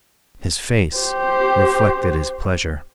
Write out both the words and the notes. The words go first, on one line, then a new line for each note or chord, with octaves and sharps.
His face reflected his pleasure.
G4 C5